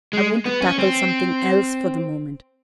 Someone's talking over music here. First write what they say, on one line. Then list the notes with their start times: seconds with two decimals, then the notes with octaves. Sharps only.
I want to tackle something else for the moment.
0.13 G#3
0.46 B3
0.62 C#4
0.79 C4